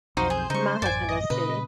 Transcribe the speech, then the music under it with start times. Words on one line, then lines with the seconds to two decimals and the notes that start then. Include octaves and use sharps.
My husband does too.
0.17 B1 F2 D#4 F#4 C5 F5
0.30 G#4
0.50 C#3 G3 D#4 C#6
0.82 A1 F#2 D5 G#5
1.09 D#5
1.30 A#2 C#3 B4